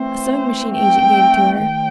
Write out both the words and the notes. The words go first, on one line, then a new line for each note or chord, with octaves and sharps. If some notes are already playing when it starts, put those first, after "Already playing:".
A sewing-machine agent gave it to her.
Already playing: E3 A3 C4 C5
G5
D#2 D#3 A3 G5